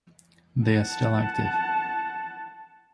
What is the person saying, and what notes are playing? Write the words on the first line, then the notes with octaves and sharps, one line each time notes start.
They are still active.
F#5 A5